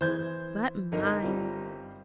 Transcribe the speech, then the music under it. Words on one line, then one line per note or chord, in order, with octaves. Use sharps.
But, my!
E3 C5 G6 G#6
G1 D#4 A#4
G3 C4 F4